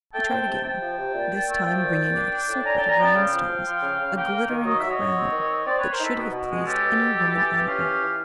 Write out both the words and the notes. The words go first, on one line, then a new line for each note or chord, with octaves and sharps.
He tried again, this time bringing out a circlet of rhinestones, a glittering crown that should have pleased any woman on earth.
A3 G5 A5
C4
C3
C3 G5 A5
F3
C3
A#2
A#2
A3
F3 G5 A5
A#2
A#2
D4
D4
A2
D4 G#5 A#5
D4 G5 A5
G#5 A#5
B3 G5 A5
C#3 F5 G5
F3
F3
F3
C#3
C#3
A#3 F5 G5
A#3
D#3
F#3 D#5
F#3 E5
C#5 D#5
F#3
C4
D#3
C4
C4 C5 D5
C4 B4 C#5
A#4 C5
D#4 A4 B4
B2
B2
G#3
C#4 G4 A4
B2
B2
E3
E3
E3
C#4 F4 G4
E3
E3